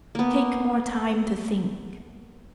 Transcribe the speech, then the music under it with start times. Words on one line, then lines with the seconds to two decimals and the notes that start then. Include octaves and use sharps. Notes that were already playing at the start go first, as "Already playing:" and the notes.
Take more time to think.
0.15 A#3 B3